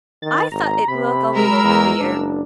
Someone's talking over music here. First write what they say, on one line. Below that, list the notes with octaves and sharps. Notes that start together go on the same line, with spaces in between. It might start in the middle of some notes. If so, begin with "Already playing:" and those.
'I thought it looked a little queer.
D#3 A6
G#1 A#5
C3 B5
G#3 A#4 E6
E2
F#1 D4